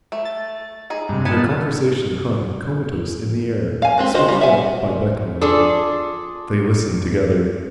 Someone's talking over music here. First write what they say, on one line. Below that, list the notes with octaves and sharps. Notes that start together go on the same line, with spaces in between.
Their conversation hung comatose in the air, switched up by Bechamel. They listened together.
A3
A6
D#4 G#4
G2 C3
B3 D#4 G#5 A5
F5 G#5
G#3 C4 G4
F4 F#4 C5 D#5
G3 F4
E5 F#5 G#5
D4 F4 G#4 A4